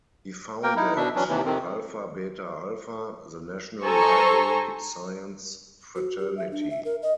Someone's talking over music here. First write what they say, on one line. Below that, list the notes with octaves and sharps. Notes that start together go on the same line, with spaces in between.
He founded Alpha Beta Alpha, the national library science fraternity.
A#3 A#4 G5
D#4 E4
B2 D4 E5
E3 F#3 C#4 D4
D#2 C3 E3
F2 C3 D#3 C4
A4 C5 G#5 A#5 C#6
F#4
G4
E5
D4
E5
A#4
D#5